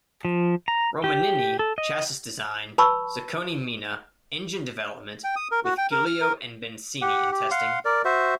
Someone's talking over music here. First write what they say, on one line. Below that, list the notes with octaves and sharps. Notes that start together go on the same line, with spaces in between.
Romanini, chassis design, Zaccone Mina, engine development, with Gilio and Bencini in testing.
F3
A#5
G4
A4
D#5
B4 A5 B5 C#6 E6
G5
D#6
A#4
F#4
G5
A#4
F6
A#4
G4 F#5
G4
F5 F#5 C6
A#4 D5
F#4 C5 E5